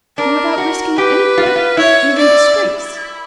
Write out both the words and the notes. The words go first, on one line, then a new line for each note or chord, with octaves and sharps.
And without risking anything--even disgrace!
D4 A#4
F#4
G4 B4
F4
F#4
F4
E4 C#5
D5